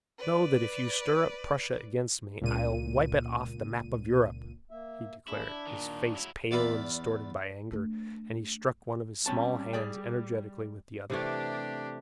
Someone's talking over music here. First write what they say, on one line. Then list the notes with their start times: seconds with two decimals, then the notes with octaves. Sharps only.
"Know that if you stir up Prussia against me, I'll wipe it off the map of Europe!" he declared, his face pale and distorted by anger, and he struck one of his small hands energetically with the other.
0.18 B4 D5
2.41 C#2 A#2 D#7
4.71 A#3 E5
5.28 A#3 D4 E4 G#4
5.46 D4
5.67 A#2 D#3
6.15 F#3 E4
6.51 E2 D5 E5 F5 B5
7.72 A3 D4
9.26 G3 C4 C#4 A5
9.73 G#4 D5 G5
11.10 C3 E3 A3 D4 G4